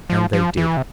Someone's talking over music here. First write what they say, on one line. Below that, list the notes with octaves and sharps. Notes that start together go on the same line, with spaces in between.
And they did.
F3
F3
E3
C3